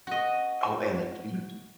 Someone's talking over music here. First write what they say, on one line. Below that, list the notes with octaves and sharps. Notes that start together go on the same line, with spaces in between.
Oh, and the cheese.
F#4 D#5